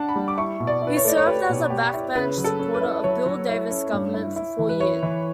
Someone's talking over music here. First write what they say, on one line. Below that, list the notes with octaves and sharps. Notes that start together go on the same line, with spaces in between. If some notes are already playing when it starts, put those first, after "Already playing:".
He served as a backbench supporter of Bill Davis's government for four years.
Already playing: D4 F#5 A5
B5
G3
D6
E4 C#6
B2
D5
E4
B4
C#5
A3 D5
C#5
G4 B4
B2
G4
E4
C#3 B4
F#3
A4
C#4
B4
E4
F#3 C#5
F#3
E4
C#4
G2
E4
E4
E3
B4
E4 C#5
E3